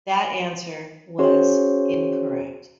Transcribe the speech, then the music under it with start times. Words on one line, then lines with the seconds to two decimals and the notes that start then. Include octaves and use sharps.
That answer was incorrect.
1.19 C#4 F#4 G#4 C5 C#5